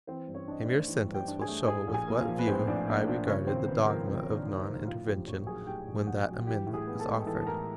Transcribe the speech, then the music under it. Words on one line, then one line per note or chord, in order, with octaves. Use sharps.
A mere sentence will show with what view I regarded the dogma of non-intervention when that amendment was offered.
E3 C4 C5
G2
C#4 C#5
D4 D#5
D4 D5
A3
E3
G2
G4 G5
D4
G#4 G#5
A3
A2 G#4 G#5
A#1
G#4 G#5
A#3
F4 F5
F3
B4
A2 C4 C5
A#1 D4 D5
A#3 D4 D5
F3 D4 D5
C#3 C#4 C#5
D#2 C4 C5
D#2 B4
F3 A#4
C#3 C4 C5
D#2 C#5
D4 D5
D#2
D#4 D#5
F3
A2 F4 F5
A#1 G4 G5
A#1 C#5 C#6
F#3 G#4 G#5
A2 G4 G5
A#1
A#1 F#4 F#5
F#3
E3 G4 G5
A2
G#4 G#5
B3
A4 A5
G#3
E3 A4 A5
A5
A2 A#4 A#5